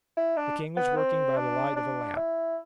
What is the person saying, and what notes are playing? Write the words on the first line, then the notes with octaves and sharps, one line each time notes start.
The king was working by the light of a lamp.
E4
D4
B3
C4
D4
D4
E4